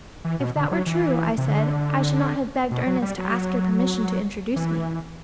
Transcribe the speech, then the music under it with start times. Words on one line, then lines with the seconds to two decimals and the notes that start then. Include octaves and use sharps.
"If that were true," I said, "I should not have begged Ernest to ask your permission to introduce me."
0.25 E3
0.40 B2
0.56 D3
0.71 F#3
0.86 E3
1.38 C3
1.48 D3
2.71 B2
2.87 F#3
3.02 G3
3.18 F#3
3.28 G3
3.33 F#3
4.56 E3